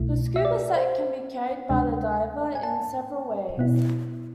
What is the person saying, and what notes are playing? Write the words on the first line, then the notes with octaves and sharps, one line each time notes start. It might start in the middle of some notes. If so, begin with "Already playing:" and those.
The scuba set can be carried by the diver in several ways.
Already playing: C2 B2 A3 E4
E5
D5
C5
D2 C3 G#3 D4
G#5
A5
B2 B3 E4